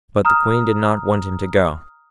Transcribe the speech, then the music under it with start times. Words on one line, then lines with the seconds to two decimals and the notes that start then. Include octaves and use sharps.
But the Queen did not want him to go.
0.25 A#5 D#6 F6